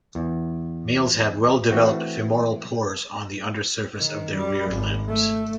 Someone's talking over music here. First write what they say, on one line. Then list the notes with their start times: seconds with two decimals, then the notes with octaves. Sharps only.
Males have well-developed femoral pores on the undersurface of their rear limbs.
0.15 E2
1.70 E3 A3 C4 F#4
3.96 D#3
4.36 G3
4.71 G#1
5.08 A3